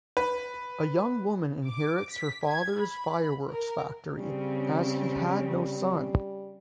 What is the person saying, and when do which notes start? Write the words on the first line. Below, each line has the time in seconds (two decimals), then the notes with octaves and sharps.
A young woman inherits her father's fireworks factory, as he had no son.
0.17 B4
1.66 D6
2.12 B6
2.47 G#6
2.82 B5
3.53 A#4
4.16 C#3 G3 C4